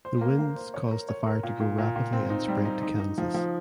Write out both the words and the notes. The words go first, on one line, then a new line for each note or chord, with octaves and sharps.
The winds caused the fire to grow rapidly and spread to Kansas.
C5
A#3
A#3
C5
C#5
A#4
C#5
A#4
A#2
A#2
A#2
A#2
C4
D#4
G3
D#4
D#4
D#4
F3
F3